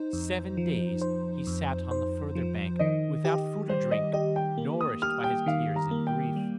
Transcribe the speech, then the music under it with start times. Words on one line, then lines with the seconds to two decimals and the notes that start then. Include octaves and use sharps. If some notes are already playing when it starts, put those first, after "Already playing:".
Seven days he sat on the further bank without food or drink, nourished by his tears and grief.
Already playing: D#4 C5
0.13 F2
0.57 F3
1.02 C5
1.47 F2
1.91 C5
2.35 F3
2.79 D#3 D#5
3.25 G4
3.68 G3 C5
3.91 D#5
4.13 G4 D#5
4.36 G5
4.58 A#3
4.81 D#6
5.02 G4 F6
5.24 G5
5.46 D#3 F5
5.76 A#5
5.91 A#3
6.07 G5
6.36 G3